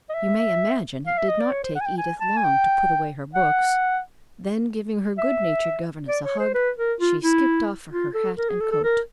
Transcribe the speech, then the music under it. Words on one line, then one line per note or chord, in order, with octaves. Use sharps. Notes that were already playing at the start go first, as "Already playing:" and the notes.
You may imagine it did not take Edith long to put away her books; then giving her good-natured governess a hug she skipped off for her hat and coat.
D#5
E5
F5
E5
D#5
D5
C#5
C5
F#5
G#5
G5
G#5
A5
G#5
G5
F#5
E5
D5
C#5
C5
B4
A#4
F4
E4
F4
A4
A#4
G#4
A4
A4
A#4